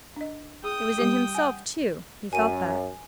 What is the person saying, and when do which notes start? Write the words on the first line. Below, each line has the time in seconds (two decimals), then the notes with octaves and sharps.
It was in himself too, he felt that.
0.16 D4 D#5
0.64 G#4 G5 D#6
0.98 G3 G4
1.35 F#5 G#5
2.33 F#2 G#5 D#7